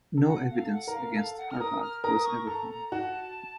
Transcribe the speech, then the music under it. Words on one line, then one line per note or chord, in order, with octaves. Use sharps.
No evidence against Arvad was ever found.
A4
F#4 F#5
F5
A4
F#5
A#4
F5
A4 F5
F#5
F6
A#4 D#6
F6
A#4 D#6
D#6
C#6
A4 A#5
A#5
F#4 A5